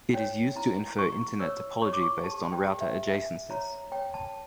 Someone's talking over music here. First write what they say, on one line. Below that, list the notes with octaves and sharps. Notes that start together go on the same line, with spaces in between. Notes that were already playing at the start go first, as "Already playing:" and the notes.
It is used to infer Internet topology based on router adjacencies.
C#5 G5
E4 A#5
E4 C#6
C#5 E6
C#5 C#6
D6
C#6
G4 A5
G5
G4
E5
D4 E5
C#5 A#5
C#5 G5
A5